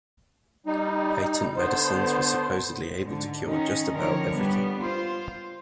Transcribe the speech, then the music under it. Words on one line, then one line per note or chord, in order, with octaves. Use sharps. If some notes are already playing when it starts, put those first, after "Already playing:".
Patent medicines were supposedly able to cure just about everything.
G3 D#4
D3 B3 C5
G#2 D3
D#3 C#4 D#4
D3 D#3 F3 A#4 C#5
G3 B3
F4 C5